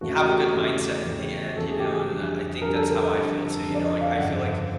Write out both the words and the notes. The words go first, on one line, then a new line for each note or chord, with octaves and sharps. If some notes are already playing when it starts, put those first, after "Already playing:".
have a good mindset in the end, you know, and, uh, I think that's how I feel, too, you know, like, I feel like
E2 C#3 E3 A3 F#4
G4
E2 C#3 E3 A3
E2 C#3 E3 A3
E2 C#3 E3 A3 A4
G#4
G4
G#4
F2 D3 G3
F2 D3 G3 A#4
A4
A#4
F2 D3 G3
F2 D3 G3
D5
D#5
F5
G1 F2 C#3 F3 F#5